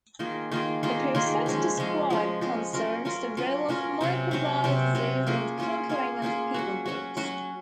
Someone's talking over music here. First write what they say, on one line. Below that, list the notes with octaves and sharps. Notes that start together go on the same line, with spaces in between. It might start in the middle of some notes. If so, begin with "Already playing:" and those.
The process described concerns the role of microbial disease in the conquering of people-groups.
D#3 A#3 F4 G#4
D#3 A#3 F4 G#4
D#3 A#3 F4 G#4
D#3 A#3 F4 G#4
F3 G#3 C#4
F3 G#3 C#4
F3 G#3 C#4
F3 G#3 C#4
F#3 C#4 F4 A#4
F#3 C#4 F4 A#4
F#3 C#4 F4 A#4
F#3 C#4 F4 A#4
C3 F#3 C#4
C3 F#3 C#4
C3 F#3 C#4
C3 F#3 C#4
A#3 C#4 F4 G#4
A#3 C#4 F4 G#4
A#3 C#4 F4 G#4
A#3 C#4 F4 G#4
F#3 C#4 F#4
F#3 C#4 F#4
F#3 C#4 F#4